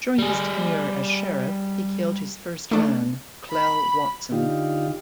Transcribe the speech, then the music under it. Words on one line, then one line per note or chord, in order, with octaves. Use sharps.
During his tenure as sheriff, he killed his first man, Clell Watson.
G3 G#4
A3 D4
B5
D3 D#4 F4 G4